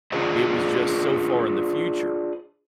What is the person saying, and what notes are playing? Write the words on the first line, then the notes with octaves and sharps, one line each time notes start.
It was just so far in the future
D4 F4 G#4 B4 C5 D#5